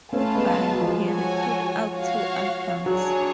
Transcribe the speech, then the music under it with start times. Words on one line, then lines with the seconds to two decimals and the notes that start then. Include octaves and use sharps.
Goodbye Harry put out two albums.
0.12 A3 C#4 F4 B4 F5 A5
0.35 G#3 B3
0.58 G#3 B3
0.72 F#3
0.81 F3 G#3
1.04 F#4 A4 C#5 G#5
1.95 F#4 C#5 F5
2.86 F#3 D4 G#4 C#5